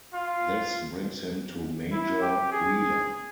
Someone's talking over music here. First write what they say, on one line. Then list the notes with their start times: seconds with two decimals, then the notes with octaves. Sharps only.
This brings him to Major Wheeler.
0.14 F4
1.92 E4
2.22 G4
2.52 G#4